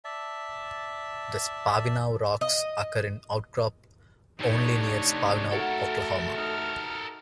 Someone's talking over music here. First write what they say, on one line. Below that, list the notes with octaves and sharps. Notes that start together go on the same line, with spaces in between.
The Spavinaw rocks occur in outcrop only near Spavinaw, Oklahoma.
D5 E5 A5
D#5
C3 A3 D4 D#4 C#5
A3 F#4 A4 A#4
D#4 F6